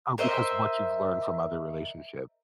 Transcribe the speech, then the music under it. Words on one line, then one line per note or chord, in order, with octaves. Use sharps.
Oh, because what you've learned from other relationships.
A#4 C5 D#5 E5